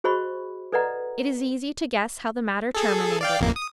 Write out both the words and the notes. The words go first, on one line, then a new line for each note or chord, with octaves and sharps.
It is easy to guess how the matter terminated.
F#4 G#4 C5 D#5 B5 C#6
A4 B4 D5 D#5 F#5 A#5
G#4 A4
D5 F5 G5
A1 F2 A#3
D#6